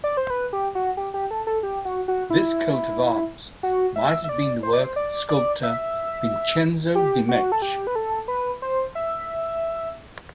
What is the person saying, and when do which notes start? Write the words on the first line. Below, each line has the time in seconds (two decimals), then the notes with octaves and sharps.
This coat of arms might have been the work of the sculptor Vincenzo Dimech.
0.04 D5
0.17 C5
0.30 B4
0.53 G4
0.75 F#4
0.97 G4
1.14 G4
1.31 A4
1.47 A4
1.63 G4
1.85 F#4
2.08 F#4
2.30 E4
3.63 F#4
3.96 E5
4.24 E5
4.29 D5
4.63 C5
4.73 D5
4.84 C5
4.96 D5
5.29 D5
5.63 E5
6.95 G4
7.29 F#4
7.52 A4
7.62 G4
7.87 B4
7.95 A4
8.28 B4
8.62 C5
8.95 E5